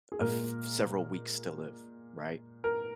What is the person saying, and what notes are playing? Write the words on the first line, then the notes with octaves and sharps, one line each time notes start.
a th several weeks still live, right?
G#4
A#2 G#3 A#4
A#4